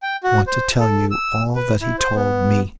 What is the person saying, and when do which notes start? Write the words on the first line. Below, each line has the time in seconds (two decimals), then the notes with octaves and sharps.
I want to tell you all that he told me.
0.03 G5
0.23 F#4
0.47 C5
0.80 A4
1.11 E6
1.55 B4
1.81 E4
1.99 C5
2.15 B3